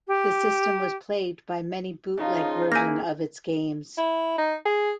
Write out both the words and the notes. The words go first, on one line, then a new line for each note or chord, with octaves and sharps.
The system was plagued by many bootleg versions of its games.
G4
C#3 F3 D#4 F4
A#3 E4 G#5 G6 A#6
E4
D#4
G#4